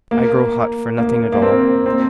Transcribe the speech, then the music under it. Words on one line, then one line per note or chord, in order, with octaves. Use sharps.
I grow hot for nothing at all.
A#3
A#3
A#3
C4
C4